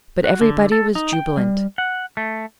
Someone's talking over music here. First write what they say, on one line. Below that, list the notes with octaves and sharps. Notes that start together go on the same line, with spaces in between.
But everybody was jubilant.
F#4
D3
A4
D#4
G5
G3
F#5
A3